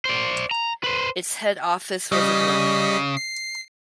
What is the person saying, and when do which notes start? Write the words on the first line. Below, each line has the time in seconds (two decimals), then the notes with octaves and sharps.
Its head office was in Leven.
0.05 C5 D5
0.51 A#5
0.84 B4 C5
2.12 C#3 G3 D#5 B6
3.17 C7